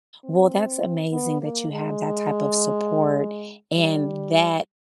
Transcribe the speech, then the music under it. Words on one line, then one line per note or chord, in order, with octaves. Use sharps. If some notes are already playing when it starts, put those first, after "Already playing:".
Well, that's amazing that you have that type of support, and that
C4
B3
A#3
G#3
G3